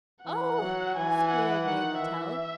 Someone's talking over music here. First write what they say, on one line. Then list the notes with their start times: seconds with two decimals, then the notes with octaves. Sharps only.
"Oh!" squealed Mae Mertelle.
0.25 E3 F#5
0.61 F#3
0.96 E3 G#5
1.30 F#5
1.66 D#3 F#5
2.02 E3 E5